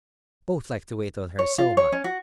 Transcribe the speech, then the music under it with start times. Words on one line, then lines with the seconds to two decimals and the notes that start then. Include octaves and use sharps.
Both liked to wait on her so much.
1.39 C#5
1.58 F4
1.77 C#5
1.92 C#4
2.04 F#4